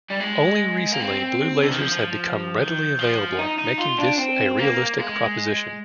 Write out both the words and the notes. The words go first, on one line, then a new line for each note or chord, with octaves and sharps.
Only recently blue lasers have become readily available making this a realistic proposition.
G3
G#3
A#3
C4
D3
D#3
F3
D#3
F3
D#4
D#4
F4
D4
C4
A#3
G#3